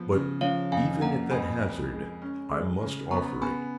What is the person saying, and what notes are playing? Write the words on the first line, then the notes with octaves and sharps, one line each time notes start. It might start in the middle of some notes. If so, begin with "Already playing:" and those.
But even at that hazard, I must offer it.
Already playing: F3 B3
C#3
F3 C#5 F5
F2 F5 G#5
A#3 F#5 A#5
F2 G#5 B5
F2
G#3
C#4
G#3
C#3
B3 A#5 C#6
B3 G#5 B5